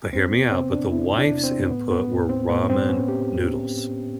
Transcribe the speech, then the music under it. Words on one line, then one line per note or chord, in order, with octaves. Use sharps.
but- hear me out- but the wife's input were ramen noodles.
E2 C4
B3
C3 C4
D4
E2 E4
D4
C3
C4
A2 B3
B3
A2
C4
A2 B3
C4
B3 C#4
G4